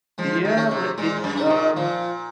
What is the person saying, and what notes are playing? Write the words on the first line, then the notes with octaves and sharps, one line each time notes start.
Yeah, but it's, um
F3 G#3
D#3
C#4 G#4
C3
A#2 G#3
G#2
F#2
D#4 G#4
C3
A#2
A#2 F3